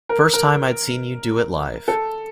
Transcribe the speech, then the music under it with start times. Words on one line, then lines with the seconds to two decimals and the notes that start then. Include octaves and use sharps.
First time I'd seen you do it live.
0.09 A#4
0.33 A#4
1.88 A4